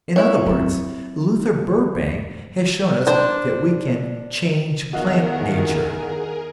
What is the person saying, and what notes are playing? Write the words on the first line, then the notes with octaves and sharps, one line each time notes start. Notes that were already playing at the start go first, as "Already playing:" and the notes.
In other words, Luther Burbank has shown us that we can "change plant nature."
E4 C#5
F#3 C4
D4 C5
E2 D#3 F#4 G#4 A#4 D#5 F5